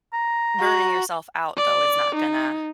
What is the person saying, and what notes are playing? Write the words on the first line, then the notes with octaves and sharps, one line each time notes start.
burning yourself out though is not gonna
A#5
F#4
D5
D#4